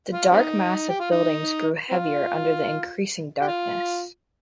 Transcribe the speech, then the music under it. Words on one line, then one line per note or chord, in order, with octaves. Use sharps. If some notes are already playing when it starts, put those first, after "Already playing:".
The dark mass of buildings grew heavier under the increasing darkness.
F4
G3 C4 D#4
G4
F4
D#4
C4 F4
G4
F4